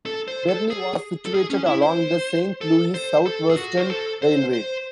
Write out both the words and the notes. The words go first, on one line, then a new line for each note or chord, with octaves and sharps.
Bernie was situated along the Saint Louis Southwestern Railway.
A4
C5
A4
G#4
A4
G#4
C#4
E4
C5
A4
C5
A4
G#4
F#4
C5
A4
C5
C5